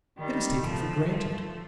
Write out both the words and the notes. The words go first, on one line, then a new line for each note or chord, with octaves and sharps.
It is taken for granted.
D#3 G3
F3 A3
F3 A3